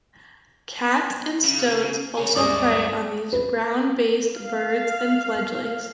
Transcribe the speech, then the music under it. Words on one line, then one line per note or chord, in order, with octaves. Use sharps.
Cats and stoats also prey on these ground-based birds and fledglings.
C#3
C#4 G#4
G2 G#3 E4 D5 D#6
B4
F5